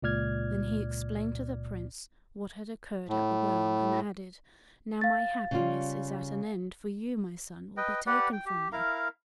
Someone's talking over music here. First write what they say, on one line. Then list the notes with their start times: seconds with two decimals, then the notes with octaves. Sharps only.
Then he explained to the Prince what had occurred at the well, and added, "Now my happiness is at an end, for you, my son, will be taken from me."
0.02 C#2 A#2 D5 F6 G#6
3.09 A2
5.01 F5 A6
5.51 C#3 G3 F4
7.77 B4 D#5 G5
8.06 G4 B4 D5 F#5
8.32 G5
8.46 G4
8.73 E4 A#4 F5 A#5